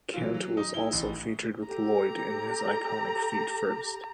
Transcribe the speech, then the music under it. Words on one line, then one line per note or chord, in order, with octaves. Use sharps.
Kent was also featured with Lloyd in his iconic "Feet First".
E3 F#3 F4
F#3
D#4
E4 G7
A1
G4 A4 A#5